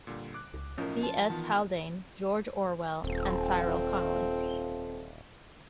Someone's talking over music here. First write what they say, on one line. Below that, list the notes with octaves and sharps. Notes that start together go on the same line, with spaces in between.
B. S. Haldane, George Orwell and Cyril Connolly.
A#2 D3 G3
D6 F#6
C#2
B1 A2 F3 C#4 D#4 A#4
F4 A5
D#3 E3 B3 F4
D#1 C4 F4 A4